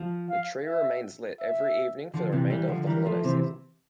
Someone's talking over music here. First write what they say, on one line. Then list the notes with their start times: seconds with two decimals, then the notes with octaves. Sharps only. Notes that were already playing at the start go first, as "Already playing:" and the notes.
The tree remains lit every evening for the remainder of the holiday season.
Already playing: F3
0.29 F5
0.66 E5
1.40 E5
2.14 D3 F3
2.32 C3 E3
2.50 E3 G3
2.68 D3 F3
2.87 E3 G3 A#4
3.05 F3 A3
3.24 C3 E3 C5